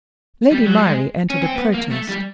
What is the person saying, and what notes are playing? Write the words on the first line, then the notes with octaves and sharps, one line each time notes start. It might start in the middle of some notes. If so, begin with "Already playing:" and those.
Lady Myrie entered a protest.
G3
F#3
G3
G#3
C#4
C4
B3
A#3
A3
G3